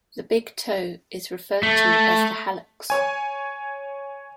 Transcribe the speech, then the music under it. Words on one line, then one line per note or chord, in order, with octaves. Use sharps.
The big toe is referred to as the hallux.
A3
C#5 G#5